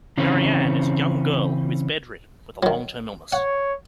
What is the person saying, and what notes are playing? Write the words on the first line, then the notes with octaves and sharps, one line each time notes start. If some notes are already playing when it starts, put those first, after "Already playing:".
Marianne is a young girl who is bedridden with a long-term illness.
C#3 E3 C4 C#4
D#3 F#3
C#5 F#5